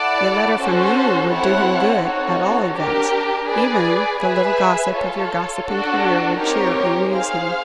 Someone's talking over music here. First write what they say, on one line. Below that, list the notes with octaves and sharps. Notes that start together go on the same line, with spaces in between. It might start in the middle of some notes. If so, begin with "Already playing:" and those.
A letter from you would do him good, at all events; even the little gossip of your gossiping career would cheer and amuse him.
Already playing: E4 A4 D5 F#5 A5
C#4 F#4 A4 C5
C4 E4 A4 C#5 F#5
C4 D#4 F#4 A4 C#5
D4 G4 A#4
G#4 B4 D5
G#4 B4 E5 G#5
F4 A4 C#5
D4 F#4 A4
C4 D#4 G4 A#4 C#5
G#4 C5 F5